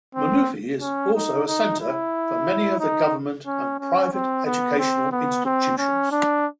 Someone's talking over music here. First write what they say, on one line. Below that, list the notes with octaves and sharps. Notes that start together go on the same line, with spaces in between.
Mannuthy is also a center for many of the government and private educational institutions.
C4
C#4
D#4
D#4
E4
D#4
C#4
C#4
C4
B3
C4
B3
C4
C#4
D4